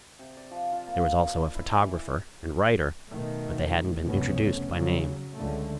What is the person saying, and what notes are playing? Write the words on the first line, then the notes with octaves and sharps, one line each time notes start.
There was also a photographer and writer, but they hadn't been introduced by name.
C3
D5
F3
F4
A#3
E4
E3
E4
B2 D#3 A3
F1 C#2 C3 A3 B3 C#4
C#3 F#3
C#2 D3 A3